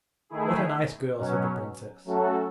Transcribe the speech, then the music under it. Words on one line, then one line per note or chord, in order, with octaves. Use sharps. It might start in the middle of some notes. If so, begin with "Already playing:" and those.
"What a nice girl!" said the princess.
D#3 A3 E4 G#4
B2 F#3 C#4
F#3 A3 C#4 F#4 A4